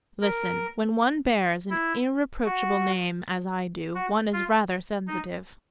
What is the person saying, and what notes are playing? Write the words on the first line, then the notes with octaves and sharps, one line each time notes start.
"Listen--when one bears an irreproachable name, as I do, one is rather sensitive."
A#4
E4
F#4
F#4
F4
D#4